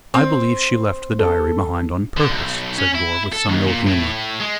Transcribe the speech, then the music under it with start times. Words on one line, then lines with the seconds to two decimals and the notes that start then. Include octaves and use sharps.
"I believe she left the diary behind on purpose," said Gore, with some ill-humor.
0.14 C4
1.19 A4
2.17 D3
2.30 B1
2.78 C#4
2.95 E4
3.33 A4
3.49 D#2
3.67 A#2
3.87 A2
4.40 G#3